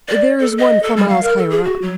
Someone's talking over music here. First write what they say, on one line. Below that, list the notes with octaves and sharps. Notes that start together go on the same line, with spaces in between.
There is one four miles higher up.
D5
A4
D#5
A4
G3
F5
A#4
A4
G#4
F#4
F#3